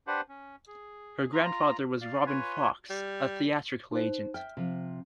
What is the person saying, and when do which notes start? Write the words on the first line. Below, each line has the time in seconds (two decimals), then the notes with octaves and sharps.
Her grandfather was Robin Fox, a theatrical agent.
0.07 D4 G4 B4 C5 F#5
0.29 C#4
0.67 G#4
1.33 F4 A#5
2.01 D5 F5
2.26 F4 B4 C#5 G#5
2.90 G3
3.91 D#4 C5
4.34 E5 G5 F6
4.57 C3 F3